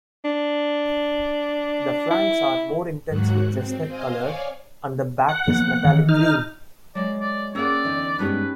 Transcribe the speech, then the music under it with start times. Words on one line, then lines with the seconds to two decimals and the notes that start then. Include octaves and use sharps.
The flanks are more intensely chestnut colored and the back is metallic green.
0.25 D4
2.10 E4
3.08 D#2 G#2 F#3 F#4 F#6
3.51 C4
3.87 C5 D#5 F5 G#5
4.19 C#5 D5 F5 G#5
5.29 F#5
5.48 F3 A#3 B3
5.85 D#3 E3
6.09 D#4 F6
6.95 F#3 G#3 D5
7.20 D5
7.55 A#3 C#4 G#4 D5 F#5 E6
7.84 E2 D3 D#4
8.19 G2 G#3 B3 C#4 D#4 G4 B4